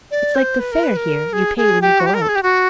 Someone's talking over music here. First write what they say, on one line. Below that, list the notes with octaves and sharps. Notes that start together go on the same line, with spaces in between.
It's like the fair here, you pay when you go out.
D5
C5
B4
A#4
B4
A#4
G#4
G#4
G4
F#4
G4
A#4
A4
G#4
G4
F#4